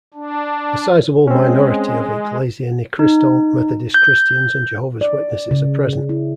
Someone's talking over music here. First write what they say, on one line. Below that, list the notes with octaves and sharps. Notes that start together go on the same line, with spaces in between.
A sizeable minority of Iglesia ni Cristo, Methodist Christians, and Jehovah's Witnesses are present.
D4
G#3 C4 C#4
D#4
G6
D5
C#3
E4